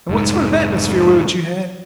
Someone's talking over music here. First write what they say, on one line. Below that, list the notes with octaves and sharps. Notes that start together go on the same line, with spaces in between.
And what sort of atmosphere would you have?
F1 G#2